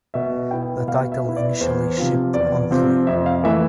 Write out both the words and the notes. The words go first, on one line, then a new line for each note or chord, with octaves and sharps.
The title initially shipped monthly.
B2 E5
B3 E4 G5
B2 F5
E5
B3 E4
D5
E2 C5
C3 F3 C4 F4
E2 D5
C3 F3 C4 F4
F2 E5
F5
E3 A3 E4 E5